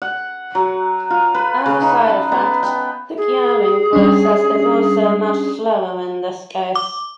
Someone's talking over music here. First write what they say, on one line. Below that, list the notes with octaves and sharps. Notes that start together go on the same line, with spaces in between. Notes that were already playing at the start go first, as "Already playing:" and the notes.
As a side-effect, the curing process is also much slower in this case.
F#5
F#3
F4
B4
C#3
D#4
A5
B3
G5
G#4
G3 C#4 D4
D6